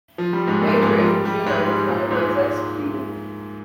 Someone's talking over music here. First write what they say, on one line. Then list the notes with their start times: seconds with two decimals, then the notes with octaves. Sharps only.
Major Ifejuna was one of those executed.
0.18 F3
0.33 G3
0.47 G#2 G#3
0.61 A#2 A#3
0.83 G#2 G#3
1.00 F3
1.04 G3
1.25 G3
1.46 G#2 G#3
1.68 G3
1.89 A#2 A#3
2.11 G#2 G#3